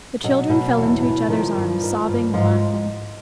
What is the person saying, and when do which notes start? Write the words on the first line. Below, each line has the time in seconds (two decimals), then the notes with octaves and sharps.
The children fell into each other's arms, sobbing and laughing.
0.24 B2 F#3
0.50 B2
0.77 E2
1.02 B2
1.29 D#3 F3
1.56 G2
1.82 D#3
2.09 G2
2.34 G#2 F3
2.52 F3